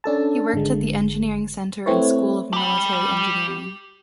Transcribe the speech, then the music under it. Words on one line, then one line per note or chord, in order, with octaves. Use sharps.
He worked at the Engineering Center and School of Military Engineering.
C#4 D4 A4 A5
G#1 D3 G#3
A3 C4 E4 B4 C#5
G4 B5